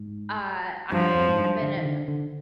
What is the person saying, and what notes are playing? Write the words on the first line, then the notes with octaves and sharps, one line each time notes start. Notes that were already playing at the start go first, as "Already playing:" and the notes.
Uh, I've have been a a
Already playing: G#2
G2 F3
F2
G#2
G2
D3
D#3
D3
D3